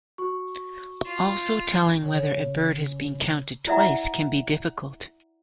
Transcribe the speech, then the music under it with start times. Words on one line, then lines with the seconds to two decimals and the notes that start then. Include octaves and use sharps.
Also, telling whether a bird has been counted twice can be difficult.
0.18 F#4 C#6
1.05 F4
2.01 C#3
3.67 E4 D5 E5 F#5 A#5